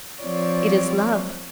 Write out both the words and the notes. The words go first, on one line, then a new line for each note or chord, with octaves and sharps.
It is love.
F3 C4 C#5 D5